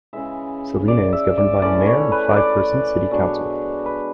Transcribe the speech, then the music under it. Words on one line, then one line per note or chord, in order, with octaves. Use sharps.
Salina is governed by a Mayor and five-person City Council.
C#3 E3 G#3 E5
D5
E5
D5
E3 A3 C#4 D5
C#5
B4
D5
B2 G#3 D4 C#5
B4